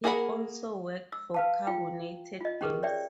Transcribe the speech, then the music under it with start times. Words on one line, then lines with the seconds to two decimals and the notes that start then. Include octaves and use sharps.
He also worked for Carbonated Games.
0.04 A#3 G#4 A#4 F#5 B5
1.12 E6
1.34 B4 F5 A5
1.67 F4 G5
2.41 F4 D#5
2.61 C#4 G4 G#4 A#4 B4
2.83 C#5 D5 E5 G5